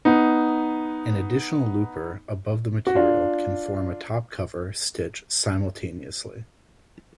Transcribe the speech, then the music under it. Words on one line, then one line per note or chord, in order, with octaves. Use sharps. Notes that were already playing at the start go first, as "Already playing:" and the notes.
An additional looper above the material can form a top cover stitch simultaneously.
B3 D#4
F#4
D4 F4